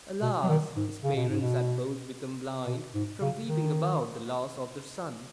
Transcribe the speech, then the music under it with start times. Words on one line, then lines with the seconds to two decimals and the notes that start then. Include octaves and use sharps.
Alas! his parents had both become blind from weeping about the loss of their son.
0.22 B2
0.43 F#3
0.49 D#3
0.77 G#2
1.04 C#3
1.16 B2
1.29 G#2
1.42 B2
2.67 B2
2.95 G#2
3.22 C#3
3.49 D#3